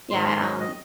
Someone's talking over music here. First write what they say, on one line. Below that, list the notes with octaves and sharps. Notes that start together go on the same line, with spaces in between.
yeah, um
G#2 D#3 C6
C6
D#5
D#5